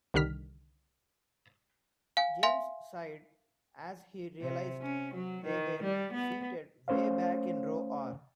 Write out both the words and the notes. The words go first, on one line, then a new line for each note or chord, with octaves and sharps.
James sighed as he realized they were seated way back in row R.
C2 D3 D#3 G3 F6 B6
F5 G#5
E5 F5 G#5 C6
C3
C#4
F#3
D#3
G3
B3
A3 C#4 C5 C#5 F5